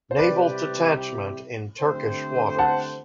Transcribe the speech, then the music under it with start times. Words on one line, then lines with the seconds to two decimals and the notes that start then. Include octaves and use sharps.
Naval Detachment in Turkish Waters.
0.11 C5
0.18 C3 G3 C4 E4 G4 B4 D5
1.79 D3 A3 C4 G4 C5
2.58 F#5 A5